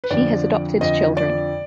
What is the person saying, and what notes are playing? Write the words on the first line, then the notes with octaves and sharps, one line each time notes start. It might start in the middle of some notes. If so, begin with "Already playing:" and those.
She has adopted children.
B4
F2 D3 F3 D5
F2 D3 F3 D#5
D5